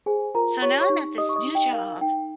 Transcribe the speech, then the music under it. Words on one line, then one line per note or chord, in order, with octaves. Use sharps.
So now I'm at this new job,
G#4 C5 G#5
F4 A#4 A#5
G4 C#5 C#6
C#5 C#6
D#4
G4 D#5 D#6
C#6
D#5 D#6
D#4
G5
A#4 F5
D#4 G5